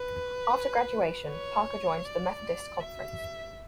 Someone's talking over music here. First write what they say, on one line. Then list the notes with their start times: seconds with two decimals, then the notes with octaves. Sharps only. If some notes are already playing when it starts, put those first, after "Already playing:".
After graduation, Parker joined the Methodist Conference.
Already playing: B4
1.30 C#5
2.05 D5
2.80 E5